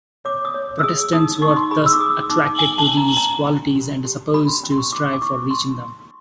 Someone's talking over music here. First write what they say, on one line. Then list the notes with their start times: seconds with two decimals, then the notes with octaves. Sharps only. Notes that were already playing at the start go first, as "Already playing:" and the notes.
Protestants were thus attracted to these qualities and supposed to strive for reaching them.
0.25 C#5 D6
0.45 D#6
0.54 C#5
0.79 E6
0.83 G#4 D#6
1.13 D#4 D#6
1.42 D#4 C#6
1.56 C6
1.71 G#4 B5
1.86 E6
1.93 D6
2.00 G#4 D#6
2.30 D#4 D6
2.59 E4 G#5
2.78 A5
2.88 C#4
2.97 A#5
3.17 C#4 A#5
3.47 C#4
3.76 G4
4.05 G4
4.34 G4 B5
4.48 C6
4.63 C#4
4.72 C6
4.78 C#6
4.93 E4 D6
5.13 D6
5.21 E4 C#6
5.51 E4 C6
5.80 E4